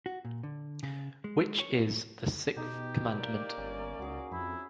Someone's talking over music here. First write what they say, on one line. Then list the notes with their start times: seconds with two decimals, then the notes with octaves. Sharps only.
Which is the sixth commandment?
0.06 F#4
0.25 A#2
0.43 D3
0.83 C#3
1.24 G#3
1.41 G#3
1.60 C#5
1.78 A2
2.57 B2 D#4 G4 A4 G5
3.16 A#3 D5
3.58 G1 C#4
3.99 C#2 F#4 G#4
4.32 F2 E4 B5